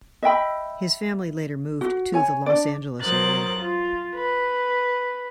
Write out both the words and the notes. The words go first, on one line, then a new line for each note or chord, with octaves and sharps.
His family later moved to the Los Angeles area.
D#5 E5 G5 B5
F#4
C#5 G#5
D4 D5
F#3 A#4 C5 D#6 F#6 A6
F4
B4